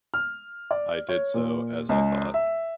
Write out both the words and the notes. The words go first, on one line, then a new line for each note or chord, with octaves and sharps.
I did so, as I thought.
F6
D5
C#5
A#2
C#2
E5